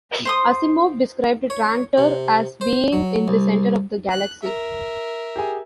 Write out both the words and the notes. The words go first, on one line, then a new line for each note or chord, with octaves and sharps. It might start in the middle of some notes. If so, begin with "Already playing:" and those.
Asimov described Trantor as being in the centre of the galaxy.
C5 C6 D#6
C#5
C3
C5
F#3
C2
F#6
A#4 E5
G4 G#4 G#5